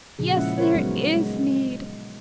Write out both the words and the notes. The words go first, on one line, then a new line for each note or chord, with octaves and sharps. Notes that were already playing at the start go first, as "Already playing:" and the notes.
"Yes, there IS need!"
A#2 C#3 F3 G#4
G#3 C#4 E4 E5 F#5
A#4 C5 C#5
F#3 G#3 B3 C#4 D#4
G#3